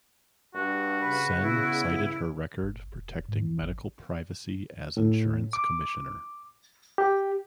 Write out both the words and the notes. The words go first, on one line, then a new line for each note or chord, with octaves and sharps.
Senn cited her record protecting medical privacy as insurance commissioner.
G2 F#4
C#3 B4
B3 E4
F#1
E1
G#2
E3
G1
A2
D6
G4